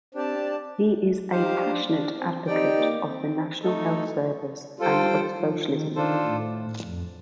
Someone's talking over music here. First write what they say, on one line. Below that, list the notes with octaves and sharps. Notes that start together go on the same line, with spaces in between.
He is a passionate advocate of the National Health Service and of socialism.
C4 D4 G4 D5 A5
D#4 G4 C5 F5
D4
D4
C4
C4 D#4 G4 D5 G5
A#3
C4
A3 D#4 A4
G3 F4 A4 C5 G5
F3
D#3
D#3 D4 F4 A4 C5
A2
F2